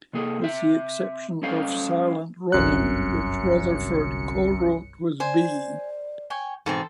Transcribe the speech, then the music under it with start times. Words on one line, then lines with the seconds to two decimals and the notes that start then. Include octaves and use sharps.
With the exception of "Silent Running", which Rutherford co-wrote with B.
0.13 C3 A#3 G#4 A4
0.41 C4 E5
1.43 G3 C#4 A4 C5 F5
2.52 G1 C2 F#2 F#6 C#7
5.20 C5 D5 G#5
6.30 C#5 G5 G#5
6.66 G#2 B2 E3 C4 A4 C5